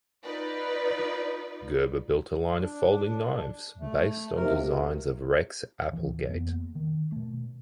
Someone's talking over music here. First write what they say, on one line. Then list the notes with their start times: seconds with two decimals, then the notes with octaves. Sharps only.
Gerber built a line of folding knives based on designs of Rex Applegate.
0.24 D#4 F4 B4 D5
2.59 D4
3.80 A3
4.37 D#2 C3 A#4
5.92 D1 E3
6.28 F2 A#3 B3
6.75 D#3
7.12 B2 A3